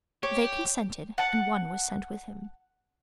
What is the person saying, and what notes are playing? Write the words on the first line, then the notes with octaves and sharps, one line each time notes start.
They consented, and one was sent with him.
G4 C#5
F#5 A5